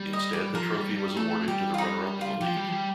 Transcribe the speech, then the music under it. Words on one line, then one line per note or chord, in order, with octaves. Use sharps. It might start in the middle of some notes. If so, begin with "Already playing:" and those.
Instead the trophy was awarded to the runner-up in the League.
Already playing: G3
D#5
D5
F3 A#4
G3
G3
A3 A4
G3 G4
F4
D#4
F4
F3 G4
G3
F3
G3